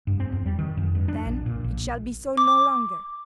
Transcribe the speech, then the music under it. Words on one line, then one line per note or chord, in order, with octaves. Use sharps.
'Then it shall be so no longer!
G2
C4
E2
G3
D#3
F2
G2
D4
A#1
A#2
A#1
D6